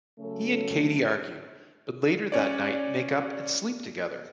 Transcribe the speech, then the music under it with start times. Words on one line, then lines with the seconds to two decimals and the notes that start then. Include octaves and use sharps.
He and Katie argue, but later that night make up and sleep together.
0.19 C#3 F#3 A3 C#4 A4
2.32 C#4 C#5 D5